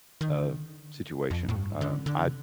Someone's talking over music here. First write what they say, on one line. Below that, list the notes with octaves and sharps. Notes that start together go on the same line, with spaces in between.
uh, situation. Um, I
D#3
D3
F2
A2
G2
D3
D3
C3